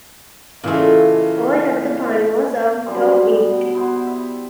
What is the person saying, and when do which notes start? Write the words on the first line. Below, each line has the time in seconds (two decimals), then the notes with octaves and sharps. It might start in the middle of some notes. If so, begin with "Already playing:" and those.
All of the fun was out of it.
0.64 A#2 C#3 E3 A3 F4 D#5
2.86 F#2 D3 G3 C4
3.26 B2 G3
3.75 B3 E4 C5
4.07 E5